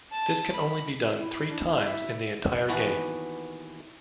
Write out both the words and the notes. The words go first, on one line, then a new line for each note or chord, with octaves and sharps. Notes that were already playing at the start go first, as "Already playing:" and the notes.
This can only be done three times in the entire game.
A5
B5
E4
D4
E5
D#2 E3 B3 F#4 A5